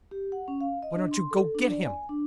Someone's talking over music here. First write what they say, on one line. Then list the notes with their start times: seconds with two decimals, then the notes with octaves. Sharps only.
Why don't you go get him?
0.11 G4
0.32 F#5
0.48 C#4
0.61 F5
0.82 D#5
0.94 D4
1.11 C6
1.31 A4
1.55 D4
1.70 D5
1.85 G#5
2.09 D4